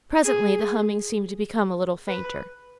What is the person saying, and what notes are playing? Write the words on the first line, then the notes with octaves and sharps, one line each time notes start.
Presently the humming seemed to become a little fainter.
G#4
B4